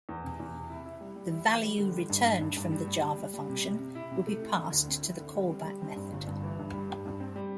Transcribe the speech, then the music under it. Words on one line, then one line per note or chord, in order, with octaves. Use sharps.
The value returned from the java function will be passed to the callback method.
E2
C3
E2
C3
E4
E4
G3
G3
E4
E3
G3
D3
G3
G2
G2
G2
G2
G3
G3
G3
G3
G3
C3
C3
C3
E4
C3
A3
E4
D3
D2
C4
E4
D3
G3
C4
G3
C4
G2
G1
G2
E3
G2
G3
G2
G2
C4
G3